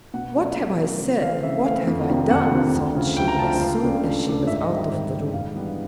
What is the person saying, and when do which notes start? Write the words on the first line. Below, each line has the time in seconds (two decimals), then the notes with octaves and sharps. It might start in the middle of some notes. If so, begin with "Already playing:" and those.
"What have I said and what have I done?" thought she, as soon as she was out of the room.
0.14 B2 F#5
0.36 F#3 A3 C#4
0.57 B2
0.79 F#3 A3 C#4
1.01 C#3
1.22 E3 A3 C4 F5
1.43 C#3 E5
1.66 E3 A3 C4 F5
1.87 F2
2.09 C3 D#3
2.30 F2 F#5
2.51 C3 D#3
2.74 D2
2.95 C#3 F3
3.17 D2 G5
3.28 A#5
3.39 C#3 A5
3.42 F3
3.50 G5
3.60 C#2 F5
3.82 C#3 F3 A3 D4
4.03 C#2
4.25 C#3 F3 A3 D4
4.47 G#2 E5
4.61 D#5
4.69 D#3 G3 C4
4.76 E5
4.90 G#2
5.11 D#3 G3 C4
5.33 G#2 F5
5.55 E3 G3 B3 D4